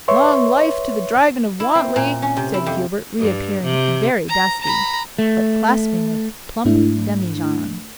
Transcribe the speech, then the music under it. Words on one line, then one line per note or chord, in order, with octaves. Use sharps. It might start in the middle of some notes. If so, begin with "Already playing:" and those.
"Long life to the Dragon of Wantley!" said Hubert, reappearing, very dusty, but clasping a plump demijohn.
B4 C#5 E5 C6 C#6
E4
C4
A#2
C#4
C3
E4
F2
G2
C3
A#5
A#5 B5
A3
G#2 A3 D4 E4